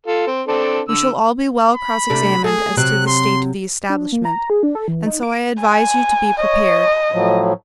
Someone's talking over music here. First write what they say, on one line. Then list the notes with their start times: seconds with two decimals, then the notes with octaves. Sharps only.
We shall all be well cross-examined as to the state of the establishment; and so I advise you to be prepared.
0.07 F4 A4
0.27 C4
0.48 C4 D4 A4
0.88 D3 E6
1.75 B5
2.10 C3 A3 D4
2.44 A3 G#4
2.77 C3 F#3 C4 F#6
3.07 C6
3.90 D4
4.12 A#3
4.25 A#5
4.50 G#4
4.63 D4
4.75 A4
4.88 E3
5.06 D#4
5.23 D7
5.61 G#5
6.41 C#5 D#5
7.12 A2 F3 F#3